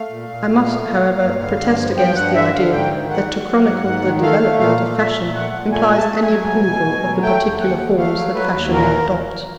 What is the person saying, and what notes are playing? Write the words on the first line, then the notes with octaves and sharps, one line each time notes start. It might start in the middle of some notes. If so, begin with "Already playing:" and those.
I must, however, protest against the idea that to chronicle the development of Fashion implies any approval of the particular forms that Fashion may adopt.
Already playing: A3 F5
A#2
A#2
A#2
A3
A#2
A#2
G2
D3
G2
F3
G2 G5
G2 F#5
D3 E5
D3 F5
G#2 G5
D#3
G#2 F#5
F#3
F#3
G#2
G#2
D#3
A3 F5
A3
A#2 F5
A3
A#2 E5
A#2
A3 F#5
A#2
A3 G#5
A3 G#5
A5
A3
G#5
F#3
B2
B2
B2
F#3
A3 G5
D#2
D#2 F#5
A3
A3 F5
F#3
F#3 B4
D#2
A#2 A#4